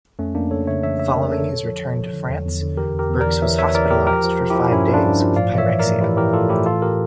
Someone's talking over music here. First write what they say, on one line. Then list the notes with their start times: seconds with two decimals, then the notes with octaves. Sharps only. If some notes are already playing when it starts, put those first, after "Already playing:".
Following his return to France, Birks was hospitalised for five days with pyrexia.
0.19 F2 A3 C#4
0.34 F2 A#3 D4
0.50 C#3 A4 C#5
0.67 C#3 C#5 E5
0.83 E3 C#5 E5
0.99 C#3 C#5 E5
1.16 F2 A#4 D5
1.32 F2 A4 C#5
1.48 D3
1.64 F3
1.80 F3
1.97 F3
2.13 D3
2.29 E2
2.45 E2
2.61 D3
2.77 E3 G4 A#4
2.94 E2
2.99 G4 A#4
3.10 E2
3.20 A#4 D5
3.27 E3
3.42 E3 C#5 E5
3.58 E2 C#5 E5
3.75 E3 A#4 D5
3.91 E2 G4 A#4
4.07 F3 G4 A#4
4.24 F3
4.39 F3
4.50 E4 G4
4.56 F3
4.72 G2 C#4 E4
4.88 F3
4.93 D4 F4
5.04 G2
5.21 F3
5.36 A2 D5 F5
5.53 E3
5.58 C#5 E5
5.69 E3
5.79 A#4 D5
5.85 A2
6.01 E3 E4 G4
6.17 E3 G4 A#4
6.33 A2 F4 A4
6.49 A2 E4 G4
6.66 E3 F4 A4
6.82 G4 A#4